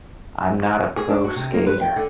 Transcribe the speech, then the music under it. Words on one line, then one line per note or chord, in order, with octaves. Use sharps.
I'm not a pro skater,
G#4
D4
F#4
C3
A#3
B4
G5
D3